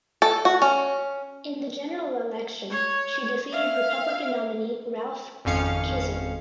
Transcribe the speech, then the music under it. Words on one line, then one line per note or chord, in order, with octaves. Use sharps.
In the general election she defeated Republican nominee Ralph Kizer.
A4
F#4
C#4
C#5
E5 F5
G#1 F2 C#4 F5 C#7